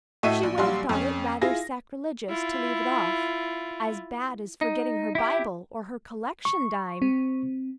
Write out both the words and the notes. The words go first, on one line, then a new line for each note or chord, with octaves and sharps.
She would have thought it rather sacrilegious to leave it off--as bad as forgetting her Bible or her collection dime.
A2 A3 F#4 D#5 E5 D#7
A#1
A#1 F#3 G3 F#4 F5 C6
F2 C#4
E4 F4 G#4 A#6
E4 F4
D#4
E4 G4
C#6
C4